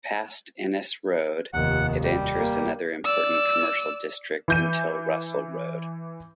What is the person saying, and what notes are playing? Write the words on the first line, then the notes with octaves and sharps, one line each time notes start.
Past Innes Road, it enters another important commercial district until Russell Road.
F1 D#2 F#5
G3
A#3
D5 E6
E3 G6 D#7